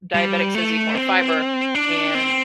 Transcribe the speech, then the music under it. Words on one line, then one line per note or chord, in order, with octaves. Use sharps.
diabetics says eat more fiber, and
G3
A3
C4
D4
C4